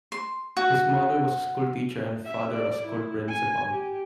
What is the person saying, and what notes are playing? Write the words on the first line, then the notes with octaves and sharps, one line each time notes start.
His mother was a school teacher and father a school principal.
C6
F#4
E5
D5
E4
G#5
G4